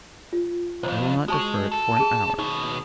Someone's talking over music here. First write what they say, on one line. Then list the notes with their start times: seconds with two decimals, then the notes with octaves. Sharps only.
I will not defer it for an hour.'
0.33 F4
0.83 B1 F2 C5 B5
1.28 G#3 F#4 A5 C#6
1.72 A4
1.96 G#4 A5
2.38 D#2 B2 D#4